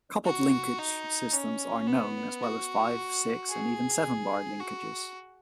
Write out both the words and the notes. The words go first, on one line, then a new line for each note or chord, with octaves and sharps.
Coupled linkage systems are known, as well as five-, six-, and even seven-bar linkages.
F#4
D#4
C#4
B3
F#4
G#4
F#4